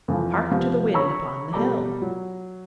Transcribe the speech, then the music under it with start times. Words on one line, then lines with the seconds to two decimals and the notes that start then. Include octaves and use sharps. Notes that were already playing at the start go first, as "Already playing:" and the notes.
Hark to the wind upon the hill!
0.08 F2 E3 F3
0.51 C3 F3 B3
0.94 C#5 A#5 B5 C#6 E6
1.53 B2 G3 A4 A#5 D6
2.02 F#3